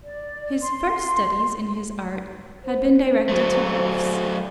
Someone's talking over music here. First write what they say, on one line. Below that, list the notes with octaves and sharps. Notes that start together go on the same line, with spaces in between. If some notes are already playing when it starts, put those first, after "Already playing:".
His first studies in his art had been directed to roofs.
D5
C6
C5
F#3 A3